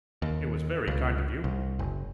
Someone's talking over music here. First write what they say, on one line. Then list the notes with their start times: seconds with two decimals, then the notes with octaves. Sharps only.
It was very kind of you.
0.22 D#2
0.88 C#2
1.44 C2
1.79 F#1